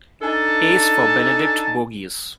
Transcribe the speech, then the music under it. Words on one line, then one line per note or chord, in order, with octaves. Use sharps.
Ace for Benedict Bogeaus.
D4 D#4 A4 G#5 A5